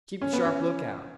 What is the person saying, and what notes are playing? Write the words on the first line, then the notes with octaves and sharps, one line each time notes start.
Keep a sharp lookout.
C#4
B3
C#4